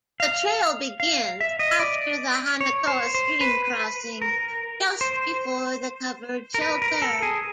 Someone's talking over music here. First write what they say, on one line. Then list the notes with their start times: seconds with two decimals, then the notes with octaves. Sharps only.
The trail begins after the Hanakoa stream crossing, just before the covered shelter.
0.20 F5
1.00 F5
1.41 E5
1.59 D#5
1.79 D5
2.61 C#5
2.87 C5
3.15 C5
3.41 B4
4.22 A#4
5.01 C5
6.54 A#4
6.61 B4
6.82 A#4
7.02 A4
7.22 G#4